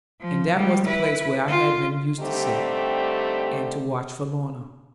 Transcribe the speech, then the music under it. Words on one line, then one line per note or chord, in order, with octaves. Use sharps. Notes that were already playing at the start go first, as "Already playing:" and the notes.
And that was the place where I had been used to sit, and to watch for Lorna.
F3
G3 G#3
E4 B4
F4
D3 G3 A3 C4 D#4 G4